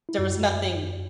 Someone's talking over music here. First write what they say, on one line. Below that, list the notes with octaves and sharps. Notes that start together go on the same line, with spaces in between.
there was nothing,
E4
F#2 F#4
F#2